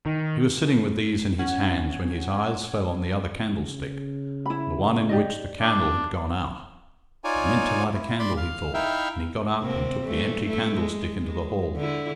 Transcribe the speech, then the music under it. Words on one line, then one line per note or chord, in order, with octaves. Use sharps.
He was sitting with these in his hands when his eyes fell on the other candlestick, the one in which the candle had gone out "I meant to light a candle," he thought, and he got up and took the empty candlestick into the hall.
D#3
C#4 F#5 G#6
C#3
E4 B5
G4 D5 D#5
D4
D#4 F4 C#5 D5 G#5
E4
D5 B5 C6
F5
D#4 E4 E5 F5 G5
C3 A#3 C4
G2 E3 A3
A3 E4
G#3
G#3
D3 E4